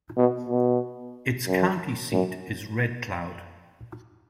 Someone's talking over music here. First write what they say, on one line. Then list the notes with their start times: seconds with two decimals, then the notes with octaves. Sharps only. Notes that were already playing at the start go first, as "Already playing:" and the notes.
Its county seat is Red Cloud.
0.17 B2
0.49 B2
1.47 F#2
2.12 F#2